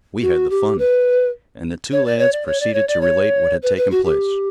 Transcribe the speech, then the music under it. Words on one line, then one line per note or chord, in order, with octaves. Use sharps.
"We had the fun." And the two lads proceeded to relate what had taken place.
F#4
G4
B4
C#5
D5
C#5
D5
C#5
D5
C#5
D5
C#5
B4
B4
F#4
G4